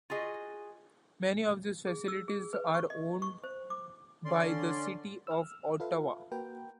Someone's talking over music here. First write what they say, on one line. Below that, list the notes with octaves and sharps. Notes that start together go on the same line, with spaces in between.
Many of these facilities are owned by the City of Ottawa.
F4 F#4 G#4 D#5
G#4
E6
G#4
B4
C#6
D#5
C#6
C5
D6
D3 C#4 D5 C6
E6 F6
F4 A4 B4 E5 F5
A#3 F#4 A#4 B4 G5